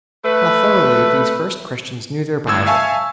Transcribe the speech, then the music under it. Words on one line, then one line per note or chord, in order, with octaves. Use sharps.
How thoroughly these first Christians knew their Bible!
A3 B4
G1 A2 E6 G#6
E5 F5 G#5 A5 C#6